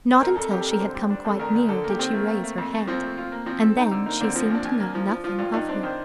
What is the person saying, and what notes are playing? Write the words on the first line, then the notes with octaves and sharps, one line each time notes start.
Not until she had come quite near did she raise her head, and then she seemed to know nothing of her.
C5
F2 A#4
F2 A4
F2 G4
A4
F2
A#4
D3 C5
G3
D4
F2 A4
D2 A#4
D2
D3 A4
A#3
G4
D#3 C4
A3 A#3
A3
A3
F2
A3
F3 C4
A3
F4
A#3
F3 C4
A4
D#4
D3
A#3 D#4
D3 C4
F3 C4
C4
D#2 D4
D#2
A#3
F3
F3
F3 F4
G2 F4
G2 D#4
C4 D4
D#3 C5